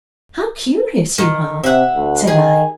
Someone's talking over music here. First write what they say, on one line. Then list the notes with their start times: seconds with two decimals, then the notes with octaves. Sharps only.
"How curious you are!" said I.
1.18 D#3
1.64 C3 E5 F#5
1.95 D2
2.27 D#3 G#4